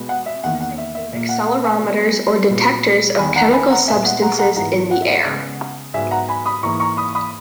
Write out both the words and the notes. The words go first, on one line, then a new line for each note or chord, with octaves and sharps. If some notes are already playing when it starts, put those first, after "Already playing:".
Uses include accelerometers, or detectors of chemical substances in the air.
Already playing: B2 G#3 B3
F#5
E5
E2 D#3 A#3 F#5
F#5
E5
E5
A#2 A#3 E5
F#5
F#5
E5 G#5
B2 G#3 B3
A#2 F#3 B3
E2 D#3 G#3 G#5 B5
F#5 A#5
G#5 B5
F#5 A#5
A#2 G#3 B3 E5 G#5
F#5
F#5 A#5
F#5 A#5
G#2 E3 B3 F#5 A#5
F#5
E5
F#5
C#3 G#3 B3
G#2 F#3 B3 E5 G#5
F#5 A#5
G#5 B5
B5 D#6
G#2 E3 A#3 A#5 C#6
A#5 C#6
B5 D#6
B5 D#6